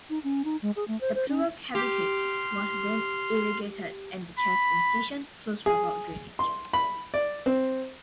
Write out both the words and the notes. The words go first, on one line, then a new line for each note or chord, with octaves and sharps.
The pleural cavity was then irrigated and the chest incision closed without drainage.
D#4
C#4
D#4
G#3
G#4
A3
C5
C5
C#4
G4 C6 F6
B5
G#4
C6
B5
D5
C4